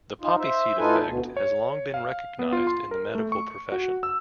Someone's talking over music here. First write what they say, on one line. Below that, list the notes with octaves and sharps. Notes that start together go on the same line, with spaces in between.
The poppy seed effect has long been recognised in the medical profession.
D#4 F4
C5 E5
A2 D#4 F4 A4 B4 G#5
D2 B2
C#5
F5
B3
F4
C6
A#4
A3
C#6
F#4
E6